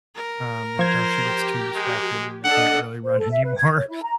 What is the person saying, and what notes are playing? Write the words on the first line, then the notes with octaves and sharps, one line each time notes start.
um, until she gets too distracted and you can't really run anymore.
A#4
F3 C5 G#6
G4
G#3
D4 A4 D#5 F#5
C5
A4
E5
B4
G#6
C#5
E4
A#5